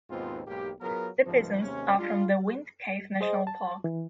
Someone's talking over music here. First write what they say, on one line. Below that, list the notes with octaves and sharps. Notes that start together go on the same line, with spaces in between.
The bison are from the Wind Cave National Park.
D#2 G#2 B2 B3 C4 F4
B1 G#2 A#3 G4
F#3 B3 F4 G#4 A#4
C#2 G#2 C3 F3
D#2 C3 G#3 A#3 C#4
G3 G#3 D4 F4
G#4 C5 D#5
A5
E3